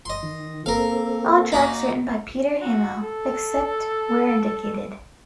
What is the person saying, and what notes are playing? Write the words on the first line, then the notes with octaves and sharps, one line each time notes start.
All tracks written by Peter Hammill, except where indicated.
D#5 C6
D#3
A#3 C4 A4 A#4 F5
A#3 D#4 F#4
F#4
A4